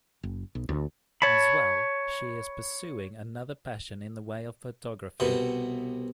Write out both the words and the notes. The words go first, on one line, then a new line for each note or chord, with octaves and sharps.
As well, she is pursuing another passion in the way of photography.
F#1
B1
D2
C#5 A5 B5
C2 B2 B3